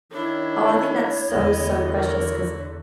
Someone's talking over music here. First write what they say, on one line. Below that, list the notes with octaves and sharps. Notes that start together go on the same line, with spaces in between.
oh, I think that's so, so precious 'cause,
D#3 D4 E4 C#5
E2 D3 B3 G4 D#5
F#4 A#4